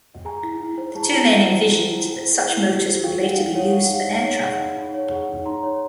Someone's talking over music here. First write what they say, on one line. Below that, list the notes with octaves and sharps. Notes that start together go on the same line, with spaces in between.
The two men envisioned that such motors would later be used for air travel.
G#4 G#5 A#5
E4
E4
C5
G#4 A5
A#5
E4 G5 A5
E4 F#5 G#5
C5
G#4
E4
E4
C5
G#4
E4
E4
C5
G#4 F5 G5
D#4 F#5
D#4 F5
C#5 F#5
G#4 F5
F#5
D#4 F5
D#4 F#5
C#5
G#4 F#5
D#4
D#4
C#5
G#4 F#5
D#4
D#4 A#5 C6
C#5